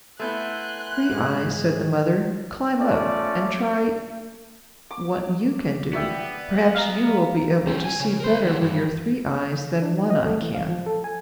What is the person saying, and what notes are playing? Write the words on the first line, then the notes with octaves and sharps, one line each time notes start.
"Three Eyes," said the mother, "climb up, and try what you can do; perhaps you will be able to see better with your three eyes than One Eye can."
A3 B3 E4 G#5 C6 F#6 G6
G#2 G#4
A3 C#4 F4 D5
D6
B3 D5 E5 G5
F5 A#5
C#4 C5
G#5
C#3
A#4 C5
D#3 B3
G2
D4
D#4
D#5
A3
E3
F5
F3
A4
G#5